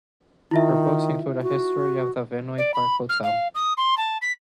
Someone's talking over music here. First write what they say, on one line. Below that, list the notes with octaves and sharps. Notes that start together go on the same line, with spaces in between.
Her books include a history of the Vinoy Park Hotel.
D#3 E4 F4 E5
F#4
D5
B5
F6
F5
D#6
C6
A5
B6